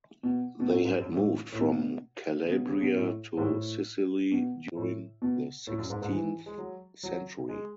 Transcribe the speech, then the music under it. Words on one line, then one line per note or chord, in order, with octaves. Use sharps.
They had moved from Calabria to Sicily during the sixteenth century.
B2
B2
A2
G#2
F#2
A2
A2
B2
C#3
B2
C#3
B2
A2
G#2
A2
B2
A2
B2
A2
F#2
G#2
G#2
E3
G#3
F#3
F#3
G#3